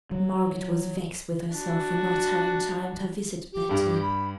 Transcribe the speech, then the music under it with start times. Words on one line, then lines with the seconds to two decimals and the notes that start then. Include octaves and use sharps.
Margaret was vexed with herself for not having timed her visit better.
0.11 F#3
1.53 D4 F#4
3.52 G4
3.69 G2 G3
4.01 B5